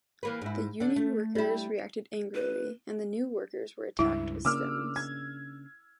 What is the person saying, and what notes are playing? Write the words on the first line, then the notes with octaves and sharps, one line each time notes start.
The union workers reacted angrily, and the new workers were attacked with stones.
E3 A#3 B4
G#2 E4
D3 D4
A3
G3 E4
B4
C#2 G2 E4 E5
C#3 A#3 D4 D6 E6 F6
G#6